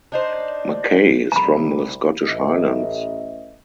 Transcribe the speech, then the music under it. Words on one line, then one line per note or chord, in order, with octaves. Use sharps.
Mackay is from the Scottish highlands.
D4 D#4 C5
C2 A#5 B5
A1 D#5 E5